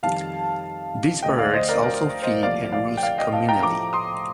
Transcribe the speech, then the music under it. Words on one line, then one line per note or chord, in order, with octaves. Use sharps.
These birds also feed and roost communally.
F2 D#3 G3 F5 A5
D2 D3 A3 D#5 G5
D5 F5
C5 D#5
A#4 D5
A#4 D5
C5 D#5
C2 A#2 F3 A3 D5 F5
D5 F5
G5
D5 F5
D#5 G5
F5 A5
G5 A#5
A2 F3 A3 A#5 D6
C6 D#6